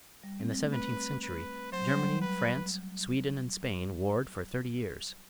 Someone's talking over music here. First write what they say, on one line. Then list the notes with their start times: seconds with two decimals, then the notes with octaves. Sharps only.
In the seventeenth century Germany, France, Sweden, and Spain warred for thirty years.
0.23 G3
0.40 C4
0.56 A3
0.73 B4
1.23 B4
1.72 F#3 C5
1.87 G3
1.97 F#3
2.22 B4